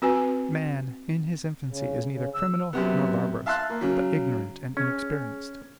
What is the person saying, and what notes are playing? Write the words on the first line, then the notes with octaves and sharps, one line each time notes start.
Man, in his infancy, is neither criminal nor barbarous, but ignorant and inexperienced.
C4 F#4 B4 G#5
C#3
C#3
E6
F#2 C3 B3
E5 F5 A5 C6 E6 F#6
A#3
C#3 F#3
C#4 G#4